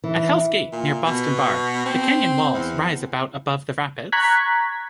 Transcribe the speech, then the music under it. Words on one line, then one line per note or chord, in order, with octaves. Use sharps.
At Hells Gate, near Boston Bar, the canyon walls rise about above the rapids.
E3
A#2
B2
C4
E2
A#5 C#6 F#6 G#6 B6